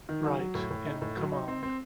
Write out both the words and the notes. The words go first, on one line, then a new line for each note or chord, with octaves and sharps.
Wright in command.
D#3
F#3
F#3
A2
A2
D#4
A2
F#3
D#4
C4
C4